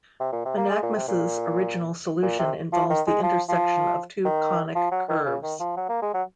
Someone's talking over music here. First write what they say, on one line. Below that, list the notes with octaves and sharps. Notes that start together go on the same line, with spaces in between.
Menaechmus' original solution involves the intersection of two conic curves.
C3
A#2
C3
A#3
G#3
A#2
C3
A#2
A#2
C3
F3
D#3
G#3
F3
F3
D#3
F3
F#3
D#3
C#3
D#3
F3
F#3
A#3
G#3
F#3